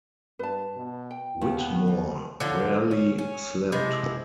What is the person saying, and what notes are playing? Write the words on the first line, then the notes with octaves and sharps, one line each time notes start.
Whitmore rarely slept.
G2 B4 A5
B2
G5
D#2 B3
D#2
D3 F3 F#3
C#4
C#4
C3 F3 G#3 E4